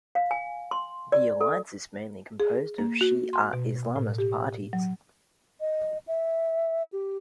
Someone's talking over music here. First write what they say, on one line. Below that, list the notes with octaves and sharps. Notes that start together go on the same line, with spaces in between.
The Alliance is mainly composed of Shi'a Islamist parties.
F5
G#5
C6
D5
A4
G#4
A#3
F#4
C6
B2
A2
G4
F#3
D#5
E5
G4